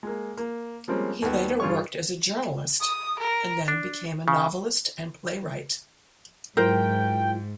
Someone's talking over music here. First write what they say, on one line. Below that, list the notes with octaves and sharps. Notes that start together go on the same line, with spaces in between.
He later worked as a journalist, and then became a novelist and playwright.
G#3 A#3
A#3
F3 G3 G#3 A#3 C4 C#4
D#2 B3
G2 G3 F4 G#4 C#5 C#6
D#6
A#4
D4
C#3
G#2 F#3 E4 F4 A#4 C5 G5